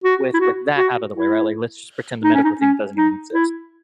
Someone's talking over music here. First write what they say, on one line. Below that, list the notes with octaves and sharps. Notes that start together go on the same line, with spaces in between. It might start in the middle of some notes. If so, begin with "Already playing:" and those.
with with that out of the way, right, like, let's just pretend the medical thing doesn't even exist.
F#4
E4
F#4
F#4
E4
D#4
C#4
D#4
C#4
D#4
E4